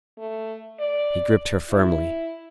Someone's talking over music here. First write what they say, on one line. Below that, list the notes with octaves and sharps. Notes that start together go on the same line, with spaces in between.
He gripped her firmly.
A3
D5
E4